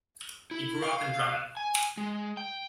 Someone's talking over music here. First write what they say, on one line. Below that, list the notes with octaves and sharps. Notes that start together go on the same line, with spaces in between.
He grew up in Drammen.
E4
F5
G#5
G#3
G5